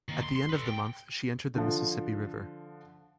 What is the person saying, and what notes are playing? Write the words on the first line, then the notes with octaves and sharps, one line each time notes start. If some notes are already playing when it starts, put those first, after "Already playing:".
At the end of the month, she entered the Mississippi River.
D#3 A#3
C6
C6
A4 B4
G5
D3 F3